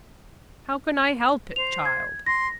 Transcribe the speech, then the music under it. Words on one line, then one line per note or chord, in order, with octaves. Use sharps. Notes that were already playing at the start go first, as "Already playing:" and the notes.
How can I help it, child?
C5 F7
G#6
C6 A#6